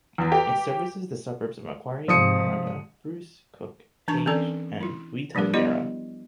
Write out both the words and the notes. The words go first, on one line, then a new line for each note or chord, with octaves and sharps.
It services the suburbs of Macquarie, Aranda, Bruce, Cook, Page and Weetangera.
E2
G4
G#2 C3 F3 D#6 C#7
E3 D4 A5 A#5 C#6
E3 C4 C#4 A4 D5
E4 F4
F3 G3 D4 G4 A#4
B3 E4 F4 G4 D5 D#5